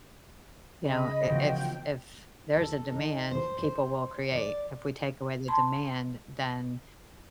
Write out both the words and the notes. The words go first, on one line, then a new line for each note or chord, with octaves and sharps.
you know, i if if there's a demand, people will create, if we take away the demand, then,
C#3 D#5 B5
C#3 E3 F3 B3 F4 F#4 G5
A4
D#4
C5
C5
D5
A5 B5 C6